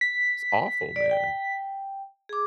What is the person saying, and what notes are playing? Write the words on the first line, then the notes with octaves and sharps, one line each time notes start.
It's awful, man.
B6
D5
G5
G#4 D6